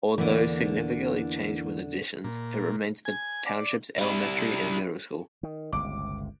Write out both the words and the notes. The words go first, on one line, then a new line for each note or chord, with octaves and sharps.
Although significantly changed with additions, it remains the township's elementary and middle school.
E2 D3 E3 A#3
A#2
G#5
D5
G3 E4
D#3
G1 C#2 C3 D6